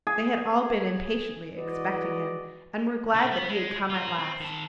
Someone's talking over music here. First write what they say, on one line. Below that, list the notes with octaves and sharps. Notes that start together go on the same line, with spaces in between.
They had all been impatiently expecting him and were glad that he had come at last.
G#4
E3 G#3 F#4 B4 D5 D#5
A#2 D3
B3
G#3
F4 A#4
C4
D#3 A5